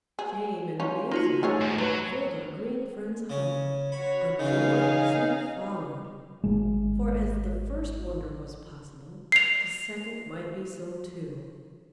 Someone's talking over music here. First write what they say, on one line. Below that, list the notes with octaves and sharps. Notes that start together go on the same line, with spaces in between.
Shame and amazement filled our green friend's heart, but joy soon followed; for, as the first wonder was possible, the second might be so too.
G#4
C#4 D#4 F4 F7
F3 A#3 D#4 F4 F#4
D#3 A3 G#4 C#5
G#2 F3
F#3 B4
C#3 C#4
F#4 C#5 B5
C#3 E3 D#4 G#4 F5
G#1 G#3
C7 F7